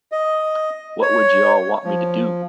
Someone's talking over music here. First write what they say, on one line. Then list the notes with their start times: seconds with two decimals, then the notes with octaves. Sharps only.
What would y'all want me to do?
0.12 D#5
1.02 C#5
1.85 F3